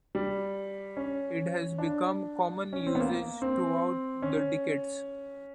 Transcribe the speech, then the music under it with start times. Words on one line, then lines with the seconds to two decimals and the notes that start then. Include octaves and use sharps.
It has become common usage throughout the decades.
0.15 G3
0.97 C#4
1.78 D4
2.73 C#4
2.87 C4
2.95 B3
3.00 A#3
3.42 C4
4.22 C#4